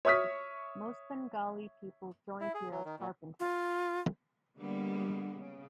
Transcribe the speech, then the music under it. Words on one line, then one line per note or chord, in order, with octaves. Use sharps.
Most Bengali people joined here as carpenters.
C#5 E5 C#6 D#6 F6 B6
E4
G#4
F#3
D#3
A#2
F4
D3 G3 G#3 A#3 B3
C#3